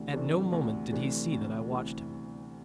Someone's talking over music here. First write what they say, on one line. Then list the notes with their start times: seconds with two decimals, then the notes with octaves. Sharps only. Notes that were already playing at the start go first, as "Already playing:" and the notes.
At no moment did he see that I watched him.
Already playing: D2 C3 E3 A3 D4
0.14 C3 E3 A3 D4
0.53 D2
0.92 C3 E3 A3 D4
1.32 D2
1.71 C3 E3